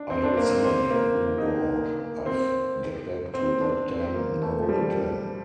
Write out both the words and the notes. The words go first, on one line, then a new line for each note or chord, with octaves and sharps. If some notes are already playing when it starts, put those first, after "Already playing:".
I don't say, uh oh, I've get back to that damn novel again.
Already playing: D4
C4
D4
A#3
C4
C4
A#3
D#4
D4
A#3
A#3
C4
C4
D4
C4
A#3
A3
F3
G3